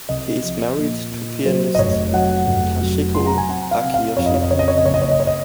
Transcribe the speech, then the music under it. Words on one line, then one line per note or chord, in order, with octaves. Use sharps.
He is married to pianist Toshiko Akiyoshi.
C2 D#5
F3
A#2
A#2
F#3 C5
D#5
F1 C#5
F#3 F#5
F1
F#3
F#3 C6
A#5
G#5
C4 F#5
F5
C3
F5
F2 C#5
D#5
C#5
D#5
C#3 C#5
D#5
C#5
D#5
F#1 C#5
D#5
C#5
D#5
C#5
D#5